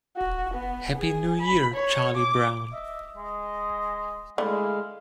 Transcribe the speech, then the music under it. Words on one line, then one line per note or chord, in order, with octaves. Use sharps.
Happy New Year, Charlie Brown!
F#4
B3
G#4
B5
C#5
D6
D#5 E5
G#3 D#5
D3 G#3 A3 E4 F5